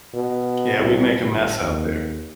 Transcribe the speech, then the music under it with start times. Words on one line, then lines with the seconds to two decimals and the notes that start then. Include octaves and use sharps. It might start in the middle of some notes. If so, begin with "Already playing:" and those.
Yeah, we make a mess out there.
0.14 B2
0.80 C2
1.19 G1
1.60 D#2